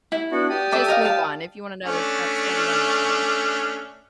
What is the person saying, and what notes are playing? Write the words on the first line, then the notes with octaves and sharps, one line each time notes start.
just move on, if you wanna know this stuff, study on your own.
E4
B3 D4 F#4
G4 D5 D#6
A4 E5 D6
A#4 D#5 F5
F5 A5
A3 C#4 D4